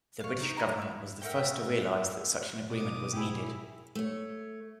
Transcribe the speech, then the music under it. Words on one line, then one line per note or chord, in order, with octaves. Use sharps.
The British Government was the first to realize that such an agreement was needed.
C#5 F5
D#4
E4 F#4 D#5 A#5
E4
A#4 E5 F#5 G5
B2 D6 D#6
E4 G4 G#4 G#5
A3 C#5